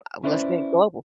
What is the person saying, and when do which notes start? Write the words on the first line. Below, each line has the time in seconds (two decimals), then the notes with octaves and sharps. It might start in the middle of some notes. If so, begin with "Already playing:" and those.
a well, let's say global.
0.23 C#4 E4 B4 C5 D5